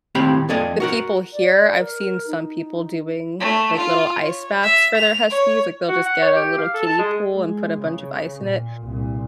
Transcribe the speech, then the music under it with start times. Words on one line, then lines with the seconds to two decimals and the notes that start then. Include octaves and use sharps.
the people here I've seen some people doing like little ice baths for their huskies, like, they'll just get a little kiddie pool and put a bunch of ice in it,
0.15 D#2 A2 C4 G4 F5 B5
0.49 F2 A#3 A4 D5 D#5 G#5
0.80 F#4 A#4 F#5
1.33 D5
1.79 A#4
2.27 D#4
3.40 A3
3.77 F4
4.22 C#5
4.63 E5
4.97 F7
5.30 C#5
5.89 F#4
6.05 F#5
6.22 C#5
6.36 G4
6.58 F5
6.74 A4
6.86 A5
6.98 G#3
7.34 G#3
7.81 C#3
8.44 A#2
8.83 C2 A#2